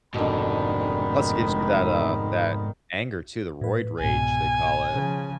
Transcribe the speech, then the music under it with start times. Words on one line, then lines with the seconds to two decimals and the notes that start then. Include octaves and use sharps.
Plus it gives you that, uh that anger too, the roid rage, they call it.
0.14 F1 G#2 B2 D3 D#3 B5
3.61 A2 B4
4.00 C2 G#2 B2 G#5
4.92 C#3 F3